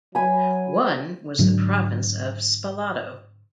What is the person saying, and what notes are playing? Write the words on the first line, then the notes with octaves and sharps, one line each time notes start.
One was the province of Spalato.
F#3 G#5 B5
G#2 D3 F#3 D4